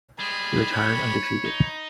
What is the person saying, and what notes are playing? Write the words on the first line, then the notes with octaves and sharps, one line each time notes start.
He retired undefeated.
G3 G#3 G#4 B5
C#5
D#4